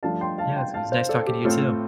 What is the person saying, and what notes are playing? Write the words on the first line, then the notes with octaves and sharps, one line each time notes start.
Yes, it was nice talking to you too.
G2 F3 A3 D4 F5 A5
G5 C6
F5 A5
G5 C6
F5 A5
C5 F5
A4 D5
G4
A2 A3 C4 F4 A4